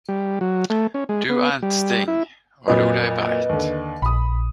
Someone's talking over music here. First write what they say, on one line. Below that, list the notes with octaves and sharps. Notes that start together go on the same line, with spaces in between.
Do ants sting, or do they bite?
G3
F#3
A3
C#4
G#3
B3
G3
E4
F2 A#2 F#3 B4 D#5
D#2 D3
A#1 B5 D#6